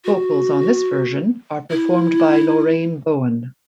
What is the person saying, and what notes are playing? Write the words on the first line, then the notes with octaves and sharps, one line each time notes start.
Vocals on this version are performed by Lorraine Bowen.
F#4
E4